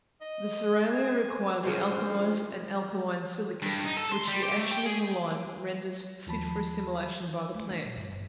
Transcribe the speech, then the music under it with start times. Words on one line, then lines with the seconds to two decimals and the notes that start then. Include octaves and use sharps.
The cerealia require the alkalies and alkaline silicates, which the action of the lime renders fit for assimilation by the plants.
0.21 D#5
0.90 G#5
1.63 G2 C#3 F3 C5
3.62 G2
3.85 D#4
3.97 A4
4.12 C6
4.28 G3
4.43 G4
4.57 A3
4.71 G5
4.86 G#4
6.27 D#2 F3 A5 B5
7.54 A3
7.69 D4
7.83 A#2
7.97 G2
8.12 G1